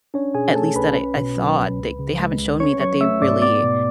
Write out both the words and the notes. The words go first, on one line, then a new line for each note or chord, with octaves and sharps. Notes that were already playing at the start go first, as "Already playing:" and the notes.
at least that I I thought, they they haven't shown me that they really,
C#4 D4 C#5
B2 G#4 G#5
A3 A4 A5
B1 B4 B5
C#4
B2
F#3
C#2
C#2
C#3
G#3
C#2
C#4 C#5 C#6
F#3 C#5 C#6
A3 E5 E6
G#2 D5 D6
B3 D5 D6
B2